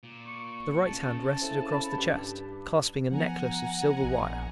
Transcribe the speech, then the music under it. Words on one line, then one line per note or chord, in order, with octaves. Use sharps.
The right hand rested across the chest, clasping a necklace of silver wire.
A#2
C#6
C#3 A5
C4 E4 A4
B5
G2 G4 B4
F3 B3 F#5 G#5 A#5
A#1